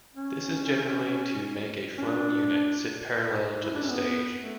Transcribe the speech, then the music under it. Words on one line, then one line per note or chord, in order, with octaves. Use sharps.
This is generally to make a flown unit sit parallel to the stage.
C#4
C#4
D4
E4
D4
C#4
B3
A3